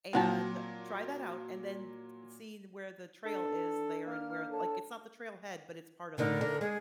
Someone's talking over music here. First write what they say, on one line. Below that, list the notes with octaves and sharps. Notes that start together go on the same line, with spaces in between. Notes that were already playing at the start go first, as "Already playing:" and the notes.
and try that out, and then t t see where the trail is there and where like, it's not the trail head, but it's part of the trail.
A#2 F#3 C4 F#5 A5
D4 A4
A#3 F6
A4 C#5 A5
A2 D3 D#4 A#4
D3
G#3 G#4